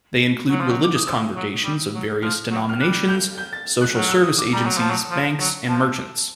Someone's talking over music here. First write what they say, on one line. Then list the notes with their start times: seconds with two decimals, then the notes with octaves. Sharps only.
They include religious congregations of various denominations, social service agencies, banks, and merchants.
0.50 F#3
0.60 F3
0.71 F#3
0.84 D6
0.95 D#6
1.07 F3 E6
1.36 F#3
1.64 G3
1.94 F#3
2.22 F3 F6
2.51 F#3
2.69 F6
2.80 G3 F#6
3.09 G6
3.38 G6
3.53 A6
3.81 F#6
3.95 F#3 F6
4.10 E6
4.24 D#6
4.38 D6
4.53 G3 A#5
4.65 F#3
4.78 F3 A5
4.90 F#3
5.10 F3
5.40 F#3
5.68 F3 A5